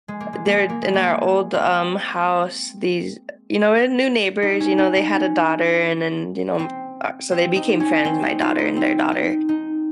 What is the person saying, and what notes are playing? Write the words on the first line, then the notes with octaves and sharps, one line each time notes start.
they're in our old, um, house, these, you know, we’re new neighbors, you know they had a daughter and then, you know, um uh, so they became friends, my daughter and their daughter,
G#3
A#3
G#3
A#3
G#3
A#3
G#3
A#3
G#3
C4
D#4
C#4
D#4
D#4
C#4
C4
C4
D#4
C#4
C4
D#4
F4
D#4
C4
D#4
D#4